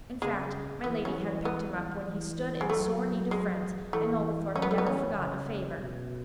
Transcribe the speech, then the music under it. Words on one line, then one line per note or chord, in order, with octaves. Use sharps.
In fact, my lady had picked him up when he stood in sore need of friends, and Oglethorpe never forgot a favor.
C#3 G#3
E3 B3
C#4
B3
E3
G#3
F#3 A3
G#3
E3 A3
F#3 C#4
B3
A3
B3
E3 C#4
C#3
B2